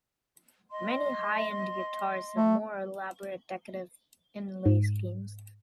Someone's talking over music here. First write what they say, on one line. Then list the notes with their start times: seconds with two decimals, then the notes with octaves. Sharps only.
Many high-end guitars have more elaborate decorative inlay schemes.
0.71 D#5 C6
2.36 A3
4.66 G#2